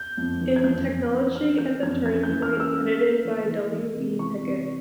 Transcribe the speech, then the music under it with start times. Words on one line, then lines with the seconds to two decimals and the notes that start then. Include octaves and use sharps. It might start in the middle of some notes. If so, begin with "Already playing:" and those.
In "Technology at the Turning Point", edited by W. B. Pickett.
Already playing: G6
0.17 F2
0.41 E3
0.56 G#6
0.64 F2 G6
0.88 F2
1.11 E3
1.35 C#4 F6
1.58 E3 G6
1.82 F2 G#6
2.06 C#4 G#6
2.23 G6
2.30 E3
2.42 F6
2.53 C#4
2.60 E6
2.78 A#3
3.01 A#3
3.25 E3
3.48 E3
3.73 E3
3.95 C3
4.19 E3 C#6
4.43 C3